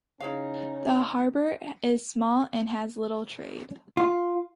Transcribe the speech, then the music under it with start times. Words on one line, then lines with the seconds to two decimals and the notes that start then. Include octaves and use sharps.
The harbour is small and has little trade.
0.20 C#3 C#4 D#4 E4 G#4 F5
3.97 F4